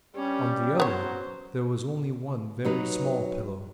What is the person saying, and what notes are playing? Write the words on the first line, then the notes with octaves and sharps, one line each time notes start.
On the other there was only one very small pillow.
G2 G3 C#4
F#3 B3 C5 C#5
F#3 D#4 B4